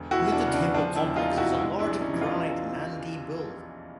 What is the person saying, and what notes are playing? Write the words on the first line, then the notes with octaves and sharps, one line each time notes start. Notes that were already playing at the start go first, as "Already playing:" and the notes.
Near the temple complex is a large granite Nandi bull.
Already playing: E1 D3
E4 F#4
E1
D4
C#3
D4
F3 D4
D4 E4
E1
D#4 F4
C3
E4 F#4
D#4
G#3 D4 E4
D4 E4
A#1
C#4 D#4
E3
D#4 F4